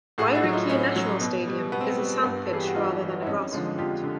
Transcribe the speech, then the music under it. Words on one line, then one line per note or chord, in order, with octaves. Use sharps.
Bairiki National Stadium is a sand pitch rather than a grass field.
A2 F#4 G#4
E4 F#4
F#3
D#4 F4
A2 C#4 D#4
F#3
B2
G3
B2 B3
C4
B3
G3
A#3
G2 B3
A4
E3 G3 G#4
G4
F#4
G2 D#4 F4
E3 G3
E4
F2 C#4 D#4
D3 F3 G#3
F2 F4 G4
D3